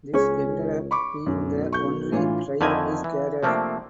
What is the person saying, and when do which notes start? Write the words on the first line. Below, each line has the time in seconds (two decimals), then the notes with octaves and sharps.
This ended up being the only try of his career.
0.14 C#2 C#4 G#4 C#5
0.91 B5 C#6 D6
1.27 B1 F#2
1.73 C#6 G6
2.12 A2 E3 D4 F4 C#5 G#5
2.61 F2 D3 D#3 E4 D#5 G#5
3.04 E3
3.43 C3 F3 A3 A#3 C4 D4